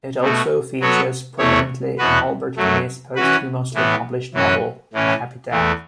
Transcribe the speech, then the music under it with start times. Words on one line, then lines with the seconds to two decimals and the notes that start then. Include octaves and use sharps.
It also features prominently in Albert Camus' posthumously published novel, A Happy Death.
0.21 B2 A3 F#4
0.80 F#3 B3 F#4 A4 C#5
1.38 E2 B2 A3 E4 C#5
1.98 E2 B2 B3 F#4 B4
2.57 F#2 F#3 A3
3.15 E3 C#4 F#4 B4
3.74 A2 E3 B3
4.34 F#2 E3 C#4 F#4 C#5
4.93 A2 E3 C#4
5.51 E2 E3 A3